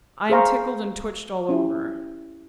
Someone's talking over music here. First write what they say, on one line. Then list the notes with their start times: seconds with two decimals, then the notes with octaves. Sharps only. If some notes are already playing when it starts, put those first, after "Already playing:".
I am tickled and twitched all over.
0.30 G#4 C5 F5 A#5 C#6
1.49 C#4 E4 G4